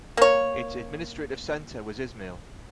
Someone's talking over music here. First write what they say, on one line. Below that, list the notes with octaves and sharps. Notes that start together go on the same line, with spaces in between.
Its administrative centre was Izmail.
A#3 C#5